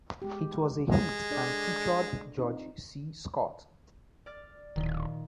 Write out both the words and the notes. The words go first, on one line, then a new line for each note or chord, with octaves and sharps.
It was a hit and featured George C. Scott.
G#3 B3 G4
G#3
D4 A4 D5
C4 D#4 F4
D5 F6 A6
D1 A#2 D#3